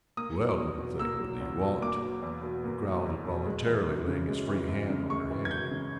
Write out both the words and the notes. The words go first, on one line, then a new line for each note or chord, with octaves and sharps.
"Well, little thing, what do you want?" he growled, involuntarily laying his free hand on her head.
A#3 D#6
F#3
E2
B2
A#3 E6
F#3
E2
B2
A#3 D6
F#3
E2
B2
A#3
F#3
E2
B2
G#3
E3
F#2
C#3
G#3
E3
F#2
C#3
G#3 C#6
E3
G#6
F#2 G6
C#3